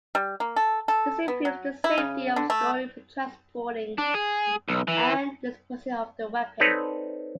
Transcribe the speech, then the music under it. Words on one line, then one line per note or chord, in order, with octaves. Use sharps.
This improves the safety of storing, transporting, and disposing of the weapon.
G3
A#3
A4
A4
B3
F#3
E4
C#3
D3
A3
D4
G#4
B1
E3
C4 D#4 A4 B4 C#5 D5